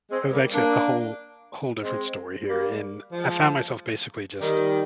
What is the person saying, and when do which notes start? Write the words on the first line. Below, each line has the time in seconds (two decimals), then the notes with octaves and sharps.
it was actually a whole whole different story here, and I found myself basically just
0.10 G#3 C4
0.31 G3 A#3
0.53 A#3 D4
1.82 G#3 C4
2.47 G3 A#3
3.11 F3 G#3
4.41 D#3 G3